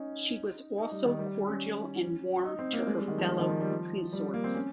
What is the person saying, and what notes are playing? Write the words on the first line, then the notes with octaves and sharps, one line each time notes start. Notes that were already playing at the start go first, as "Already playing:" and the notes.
She was also cordial and warm to her fellow consorts.
Already playing: C#4 D#4
D#4
G3
D#3
G3
C#4
D#4
C4
A#3
G#3
G3
D#3
F3
F3
D#3
F3
G3
F3
G3
A#3
C4
C#4